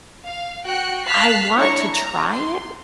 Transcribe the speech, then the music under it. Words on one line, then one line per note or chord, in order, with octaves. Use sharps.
I want to try it,
F5
F#4 G5 F#6 C#7
F5 A5 F6 F#6 B6 C7
D4 E4 C#5 A#5 C#6
A#5
C6